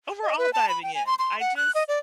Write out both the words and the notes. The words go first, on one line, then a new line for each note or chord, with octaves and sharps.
overall diving in, I just
D#5
B4
A5
B5
G5
G#5
C6
C6
F#5
F#6
D#5
D5